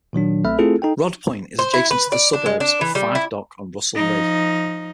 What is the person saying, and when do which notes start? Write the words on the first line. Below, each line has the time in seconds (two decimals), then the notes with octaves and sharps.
Rodd Point is adjacent to the suburbs of Five Dock and Russell Lea.
0.13 A#2 D#3 F#3 D4
0.44 B1 A3 C4 E5 B5 F6
0.59 A3 C4 E4 F4 G#4 A4
0.82 D#4 A4 G5
1.59 C5
1.74 E4
1.91 B4
2.12 D5
2.33 D4
2.46 G#3
2.60 D4
2.81 E3
2.95 G3
3.15 E4
3.95 F3 D#4